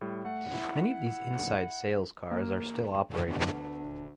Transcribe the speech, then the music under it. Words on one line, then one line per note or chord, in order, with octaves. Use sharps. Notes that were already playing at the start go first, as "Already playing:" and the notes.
Many of these "inside sales cars" are still operating.
A2 G3
A3 F#5
E4
A#3
D2 B3 D4
D#1